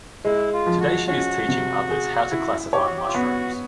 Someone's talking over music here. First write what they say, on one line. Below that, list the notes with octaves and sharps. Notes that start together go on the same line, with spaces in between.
Today she is teaching others how to classify mushrooms.
G#3 E4
F4
F3
F#4
C#4 F#4
C3
G#4
E4
G4 C#5
F#4
G4
F4
B3 F#4